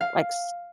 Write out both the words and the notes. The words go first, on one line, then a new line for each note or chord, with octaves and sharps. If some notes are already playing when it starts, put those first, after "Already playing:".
like, s
F5